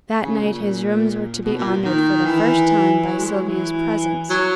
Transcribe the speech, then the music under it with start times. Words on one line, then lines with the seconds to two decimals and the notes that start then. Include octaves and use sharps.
That night his rooms were to be honoured for the first time by Sylvia's presence.
0.22 C#3
0.42 A#2
1.45 B2
1.58 A#2
1.85 D#3
2.25 E3
3.06 F#3
3.19 G#3
3.27 F#3
3.48 E3
4.29 F#3